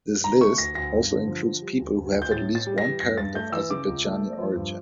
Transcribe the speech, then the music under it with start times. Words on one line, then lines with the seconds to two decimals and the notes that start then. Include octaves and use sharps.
This list also includes people who have at least one parent of Azerbaijani origin.
0.24 D3 A#5
0.41 A3 C#6
0.58 D2 A#6
0.75 D2 A#6
0.93 G2
1.11 D3
1.28 F3
1.44 F3
1.62 G3
1.79 D2
1.96 D2
2.14 D2
2.22 G6
2.31 A2 A6
2.48 A2
2.55 A6
2.67 G3
2.78 A#6
2.83 E3
3.00 G2 A#6
3.17 G2 A6
3.35 A3 G6
3.52 E3 E6
3.70 C#3 D6
3.87 C#2
4.05 A3
4.22 A3
4.39 F3
4.56 G2